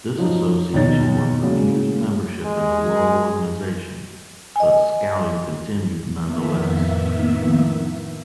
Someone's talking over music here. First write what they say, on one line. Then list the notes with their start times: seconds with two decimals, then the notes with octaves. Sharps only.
This association was refused membership in the World Organization, but Scouting continued nonetheless.
0.18 F3 F#3 D#4
0.74 D#2 B2 D#4 C#5 A6
1.42 C#3 F#3 G#3 A#3
2.45 G#3
4.56 D#5 G#5
6.16 F2 A2 D#3 A#3 B3 E5